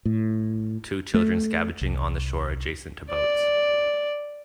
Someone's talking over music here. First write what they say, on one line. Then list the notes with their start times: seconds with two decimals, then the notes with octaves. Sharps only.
Two children scavenging on the shore adjacent to boats.
0.05 A2
1.14 A3
1.81 C2
3.11 D5